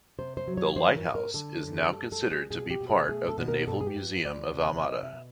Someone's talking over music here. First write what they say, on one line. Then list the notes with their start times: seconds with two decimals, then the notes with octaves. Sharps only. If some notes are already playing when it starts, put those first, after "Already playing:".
The lighthouse is now considered to be part of the Naval Museum of Almada.
0.18 C3 C5
0.37 C5
0.48 F#3
0.57 C#5
0.76 E3 C5
0.96 A#4
1.06 G#2
1.15 A#4
1.34 D3 A4
1.63 F#2
1.92 G3 A4
2.12 A4
2.22 G3
2.31 G#4
2.51 B2 G#4
2.70 G4
2.81 B2
2.89 G#4
3.09 A3 G#4
3.29 A4
3.38 B2 B4
3.48 A#4
3.67 G2 A4
3.81 G#4
3.87 G4
3.97 G2
4.25 D2 D5
4.54 C3
4.84 B2 D#5
5.03 E5
5.13 B2